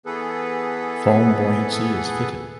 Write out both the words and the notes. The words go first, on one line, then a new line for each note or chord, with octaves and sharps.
Foam buoyancy is fitted.
E3 B3 G#4 A4 B4